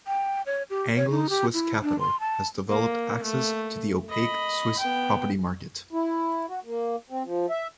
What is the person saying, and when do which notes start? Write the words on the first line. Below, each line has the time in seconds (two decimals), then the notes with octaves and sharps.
Anglo Swiss Capital has developed access to the opaque Swiss property market.
0.07 G5
0.46 C#5
0.70 G4
0.97 C#5
1.11 D#4
1.30 G4
1.54 E4
1.83 D4
2.00 C6
2.20 A5
2.69 A#3
3.23 A3
4.09 D#5 B5
4.79 B3 G5
5.93 E4
6.48 F#4
6.65 A#3
7.10 C4
7.24 F3
7.50 E5